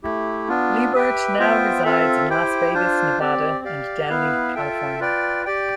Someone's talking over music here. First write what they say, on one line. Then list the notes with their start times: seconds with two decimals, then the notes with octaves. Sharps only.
Liebert now resides in Las Vegas, Nevada and Downey, California.
0.03 A3 E4 G4
0.48 B3 D4 F4
0.94 G4 B4 E5 G5
1.39 B3 F4 C5 E5 G5
1.84 C4 F4 A4 E5
2.29 E4 G4 C5 G5
2.74 D4 F4 C5
3.20 C4 G4 D5
3.64 G4 D5 F5
4.09 B3 E4 B4 F5
4.55 F4 A4 E5 G5
4.99 F4 B4 D5 G5
5.45 G4 D5 G5